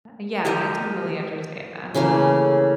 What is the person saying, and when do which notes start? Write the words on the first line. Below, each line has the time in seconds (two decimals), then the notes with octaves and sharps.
Yea Yeah I totally understand that.
0.45 G4 A#4 D#5 A#5
1.94 C#3 E3 A3 A#3